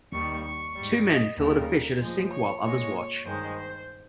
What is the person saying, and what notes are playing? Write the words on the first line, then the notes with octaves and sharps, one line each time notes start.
Two men fillet a fish at a sink while others watch.
D#2 D#3 G3 C#6
C#6
G#2 G3
D#5
D#2 C#3 G3 A#4
A#2 F3 G#3 C5
C#5
A#2 G#3 C#5
G2 D#3 G#3 C5
C5